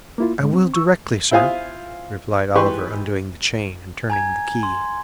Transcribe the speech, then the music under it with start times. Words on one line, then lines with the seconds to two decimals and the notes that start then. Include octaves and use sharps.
'I will, directly, sir,' replied Oliver: undoing the chain, and turning the key.
0.18 A#3 E4 F4
0.39 G#2 D3 G#3
0.53 C4
0.74 C#6 E6
1.31 E4 F4 C5 F5 G#5 D#6
2.55 G#2 E3 G4 B4 C6 C#6
4.10 G#5 A#5 G#6
4.63 C6